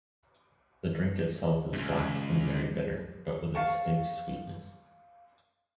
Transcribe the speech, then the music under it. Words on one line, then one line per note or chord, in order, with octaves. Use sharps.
The drink itself is black and very bitter, but with a distinct sweetness.
C#2 G2
F5 A5 C#6